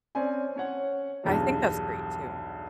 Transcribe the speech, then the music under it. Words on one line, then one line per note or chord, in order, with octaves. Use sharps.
I think that's great, too.
C4 C#4 D5 G#5
C#4 C#5 F#5
B1 E2 G2